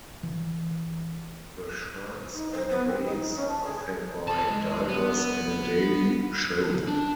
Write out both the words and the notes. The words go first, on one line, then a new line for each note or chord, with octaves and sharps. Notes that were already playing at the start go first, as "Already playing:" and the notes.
The sharks and rays are fed by divers in a daily show.
E3
D#4
C5
B3
C4
D#4
C#4
A5
G#4
G#4 A5
G#3
B3
D4